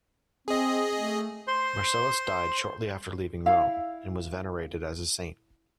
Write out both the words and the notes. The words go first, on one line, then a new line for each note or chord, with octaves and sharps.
Marcellus died shortly after leaving Rome, and was venerated as a saint.
C4 G#4 D#5
A3
C5 C6
E4 F5